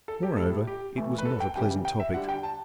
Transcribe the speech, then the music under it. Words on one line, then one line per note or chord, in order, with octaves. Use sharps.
Moreover, it was not a pleasant topic.
A4
G4
A2 G3 A4
G4
A2 E3 A3
B4
A4
G5
C#3 E3 G3 G5
G5
E5
D3 G3 F#5
G5
A5